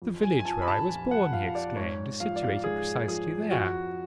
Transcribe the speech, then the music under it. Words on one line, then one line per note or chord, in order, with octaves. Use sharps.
'The village where I was born,' he exclaimed, 'is situated precisely there.
F2
G#5
G#5
F3 A5
B5
A5
F2 G#5
F#5
F3 F5
F5
D5
G#2 C#5
F3 F5
D5
F5
G#2 G#4
F3 G#4
F2 F#4